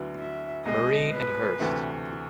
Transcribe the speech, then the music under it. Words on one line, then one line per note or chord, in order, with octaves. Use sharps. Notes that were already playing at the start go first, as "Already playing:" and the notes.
Marie and Hearst.
Already playing: D2 D3 F#3 B3 E4
E5
C2 B2 G#3 D#5
B4
D2 C3 E3 A3 C4